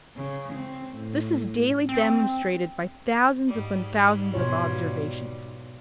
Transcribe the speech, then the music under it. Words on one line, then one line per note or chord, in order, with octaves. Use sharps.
This is daily demonstrated by thousands upon thousands of observations.
C#3
C4
A2
C4
G#2 G3
B2 F4 C#5